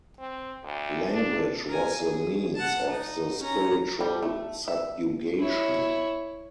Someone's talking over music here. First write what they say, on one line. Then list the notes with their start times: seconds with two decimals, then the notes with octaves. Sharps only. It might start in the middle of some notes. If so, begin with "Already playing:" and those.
Language was the means of the spiritual subjugation.
0.19 C4
0.63 D2
1.12 D4
1.69 A#4 G#5
1.99 G#4
2.55 F#5 A5
2.90 D#4
3.40 C#4 A#5
4.01 G3
4.23 A3
4.68 E5
5.39 E4 C#5